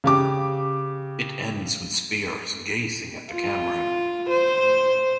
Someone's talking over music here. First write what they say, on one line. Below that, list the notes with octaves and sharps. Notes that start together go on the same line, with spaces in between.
It ends with Spears gazing at the camera.
C#3 G4 D6
F4
C5